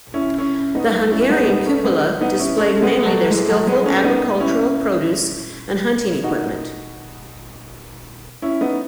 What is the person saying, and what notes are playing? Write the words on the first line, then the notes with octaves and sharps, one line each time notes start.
The Hungarian cupola displayed mainly their skillful agricultural produce and hunting equipment.
C#4 E4
C#4 E4
B3 D#4
C#4 E4
G#3 B3
B3 D#4
A3 C#4
G#3 B3
B3 D#4
C#4 E4
A3 C#4
G#3 B3
F#3 A3
E3 G#3
F#3 A3
G#3 B3
A3 C#4
B3 D#4
C#4 E4
D#4 F#4
C#4 E4
B3 D#4